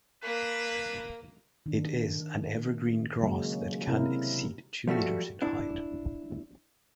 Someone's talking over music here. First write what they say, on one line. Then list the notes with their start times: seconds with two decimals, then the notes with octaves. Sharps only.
It is an evergreen grass that can exceed two meters in height.
0.23 A#3 D4 B4
1.66 D#3 D4
3.21 C#3 F#3 G#3 A#3 C#4
3.87 C3 E4 A#4
4.87 F3 G3 A3 F#4
5.42 D4 E4